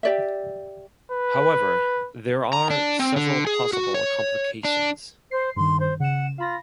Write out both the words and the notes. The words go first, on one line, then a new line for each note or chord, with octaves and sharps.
However, there are several possible complications.
G4 D5 E5
B4
A#5
D4
C4
D3
G#4
F#4
C#5
D4
C5 C7
G2 D#3 C6
C5
C#3 F#5 E7
F4 F5 B5 A#6